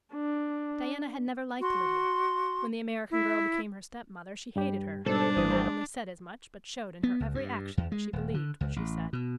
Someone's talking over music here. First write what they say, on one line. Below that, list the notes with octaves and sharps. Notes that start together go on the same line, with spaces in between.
Diana had never liked Lydia; when the American girl became her stepmother she hated her, and not only said as much but showed in her every action that she believed what she said.
D4
F#4 C6
E4
G2 G3 G4
G#2 B2 G3 D4 A4 C5 A5
G#1 F#2 E3 D#6
B3
C#2
G2
E2
G#3
D#1
D3
C#2
A1
B2